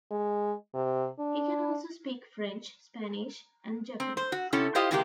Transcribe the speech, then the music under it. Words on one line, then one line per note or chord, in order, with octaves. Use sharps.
He can also speak French, Spanish, and Japanese.
G#3
C3
D4
C4
C5
F#4
C3 C#4 E4 A4
E4 F4 G4 C5 D#5 F5
C3 E3 G#3 A#3 E4 G4